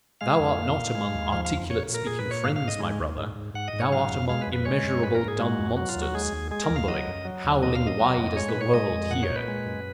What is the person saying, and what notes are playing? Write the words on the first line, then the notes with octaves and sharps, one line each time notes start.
Thou art not among articulate-speaking friends, my brother; thou art among immeasurable dumb monsters, tumbling, howling wide as the world here.
G#3 F5
F2
A#2
A#2
G#3
D#2
F3 F5
F5
F2
A#2 C#5
A#2
A#4
A#2 G#4
B4
A#2
C#5
G#2 F5
F5
G#2
D#5
G#3
D#2
G#2
G#2
G#2 F#5
D#5
G#2
C#5
F#3 F5
F2
G#3 F5
B4
F2
B4
G#3 C#5
F#2
G#2 B4
A#4
G#2
G#4
G#3 F#4
F2
F#3 F#4
F4
D#2
F#4
G#3 G#4
D#2
G#3 G#4
A#4
D#2
F5
F#3 D#5
F#2
F#3
D#2
A#2 D#5
F5
A#2
D#5
F#3
F2
G#3 C#5
B4
A#2
C#5
G#3 D#5
F2
A#2 F#5
C#5
A#2
B4
G#3
F#2